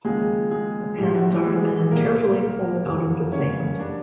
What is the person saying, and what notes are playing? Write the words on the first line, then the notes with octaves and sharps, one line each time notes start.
The pins are then carefully pulled out of the sand.
D#2 C#3 F3 G#3 A#3 G#4
G#3 G#4
A1 A2 E3 G3 A3 G4
F#4
G3 G4
G#3 G#4
C2 A#2 G3 A#3 B3 A#4
F#1 F2 D3 G3
C#4 C#5
D3 G3 D4 D5